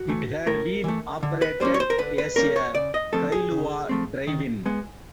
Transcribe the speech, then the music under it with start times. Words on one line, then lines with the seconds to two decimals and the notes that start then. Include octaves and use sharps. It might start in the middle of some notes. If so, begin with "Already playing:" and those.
It had been operated as a Kailua drive-in.
Already playing: F#4
0.08 E3 A3
0.47 A2 A#4
0.84 E3 A3
1.23 D3
1.42 B4
1.60 G3 A#3 C#4 C5
1.74 C#5
1.80 C5
1.90 A#4
1.98 D3 B4
2.18 B4
2.36 G3 A#3 C#4 A#4
2.56 C#5
2.75 C#3 D5
2.94 D#5
3.12 F3 A3 C4 A4
3.32 G#4
3.51 C#3
3.89 F3 A3 C4
4.27 D#3
4.66 G#3 B3